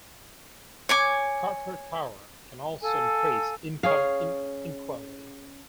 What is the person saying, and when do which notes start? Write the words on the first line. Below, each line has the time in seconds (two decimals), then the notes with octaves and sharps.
Corporate power can also increase income inequality.
0.89 C#5 G#5 D6
2.83 A4 F5 G#5
3.83 C#4 G#4 F5